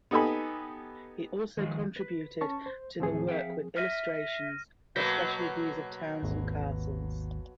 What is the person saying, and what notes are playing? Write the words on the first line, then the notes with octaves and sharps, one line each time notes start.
He also contributed to the work with illustrations, especially views of towns and castles.
B3 D#4 G4 A4 G#5 B5
D#3 F3 G#3
B4
C#4 A5 C#6
C5
D#2 A2 F3 C4 G#4
E5 F5 G5
E5 F6 A#6 D#7
B2 F#3 A#3 G6 A#6 B6
G#1 D#2